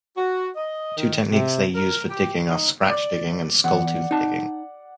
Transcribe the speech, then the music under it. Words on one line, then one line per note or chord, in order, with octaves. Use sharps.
The two techniques they use for digging are scratch-digging and skull-tooth digging.
F#4
D#5
D#3
C3
A#4
G4
D#4
D5
E2 F#5
D#4 A5